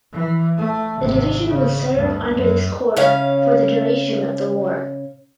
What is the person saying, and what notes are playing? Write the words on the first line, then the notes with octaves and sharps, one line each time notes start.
The division would serve under this Corps for the duration of the war.
E3
A3
G#1 C3
C#3
D2 G2
F#2
C#3 C#4 F5